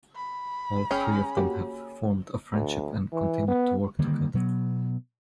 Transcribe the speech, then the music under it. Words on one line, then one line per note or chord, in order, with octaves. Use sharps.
All three of them have formed a friendship and continued to work together.
B5
G1 C#4 G#4 G5 F6
A#3 F#4 G4
D2
E3
B3
D3 D#3 G3 A#3
B2 F#3 B3